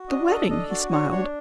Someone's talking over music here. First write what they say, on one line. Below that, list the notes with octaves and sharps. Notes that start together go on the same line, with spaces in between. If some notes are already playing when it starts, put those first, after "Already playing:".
"The wedding," he smiled.
Already playing: F#4
D4 D#5
A4 D#5
D4 D#5
F#4 D5
D4 C#5
D4 C#5